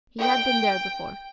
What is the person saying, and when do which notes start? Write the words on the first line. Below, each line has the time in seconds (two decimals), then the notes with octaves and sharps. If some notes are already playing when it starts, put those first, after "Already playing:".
He had been there before.
0.19 G5